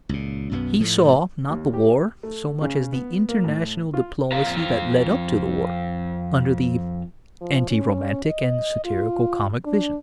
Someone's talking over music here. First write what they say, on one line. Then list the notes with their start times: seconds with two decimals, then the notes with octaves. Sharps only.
He saw, not the war so much as the international diplomacy that led up to the war, under the anti-romantic and satirical comic vision.
0.09 C#2 A#2
0.51 B1 F#2 G3 B3
0.80 A2 F3 A3
1.50 D#2
1.74 G4
2.23 A3
2.61 C#3
2.93 B3
3.29 A#3
3.44 A2
3.94 F4
4.32 F2 F4 F5 A#5
7.41 F3
7.70 C#4
8.25 D#5
8.85 F4
9.65 D4